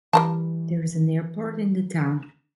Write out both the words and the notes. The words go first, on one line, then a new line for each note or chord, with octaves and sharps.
There is an airport in the town.
E3 G3 A#4 A5